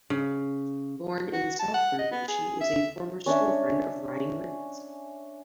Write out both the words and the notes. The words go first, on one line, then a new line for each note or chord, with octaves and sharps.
Born in Salford, she is a former school friend of Ryan Giggs.
C#3
F#4
A5
F#5
D#5
B3
G#4
E5
C#4 D4 C#5 E5